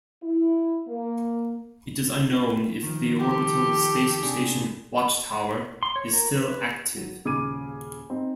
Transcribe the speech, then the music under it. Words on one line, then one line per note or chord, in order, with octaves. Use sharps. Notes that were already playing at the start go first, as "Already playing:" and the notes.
It is unknown if the orbital space station Watchtower is still active.
E4
A#3
D#3 F3
G4 A4
C3 D4 G#4
C6
C#5
A#4
B4
F#3
D#1 C#3 D6 G#6 D#7
C4 D#4